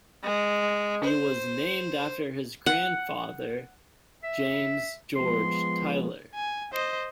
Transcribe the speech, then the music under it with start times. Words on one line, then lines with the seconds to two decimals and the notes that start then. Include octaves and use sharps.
He was named after his grandfather, James George Tyler.
0.23 G#3
1.04 C5
2.66 F#5
4.24 E5
5.16 F3 G#3 B3 C6
6.35 G#5
6.73 C5 D#5